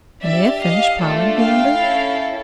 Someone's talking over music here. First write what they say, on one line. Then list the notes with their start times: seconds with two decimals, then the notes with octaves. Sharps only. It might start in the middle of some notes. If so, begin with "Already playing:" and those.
"Can they have finished ploughing?" he wondered.
0.23 D4 G4 D5 E5
0.60 D#5 F5
0.99 A3 D4 F4 A4
1.37 F5 G5
1.75 C#4 E4 A4